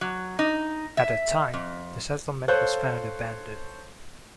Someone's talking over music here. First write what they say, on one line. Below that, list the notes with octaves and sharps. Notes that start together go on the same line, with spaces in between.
At that time, the settlement was found abandoned.
F#3
D#4
E5
F2
A4 C5 C#5 F5 F#6 G6